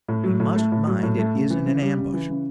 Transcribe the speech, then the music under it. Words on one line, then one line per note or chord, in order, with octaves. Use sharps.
We must mind it isn't an ambush.
A2
F#3
A2
A3
A2
F#3
A2
A3
C#3
E3
C#3
G3
C#3
E3
C#3